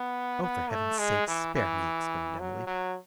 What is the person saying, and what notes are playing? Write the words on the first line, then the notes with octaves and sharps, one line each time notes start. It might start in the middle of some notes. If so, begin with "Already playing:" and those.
'Oh, for Heaven's sake, spare me!' exclaimed Emily.
Already playing: B3
B3
A3
G#3
E3
E3
F#3
F#3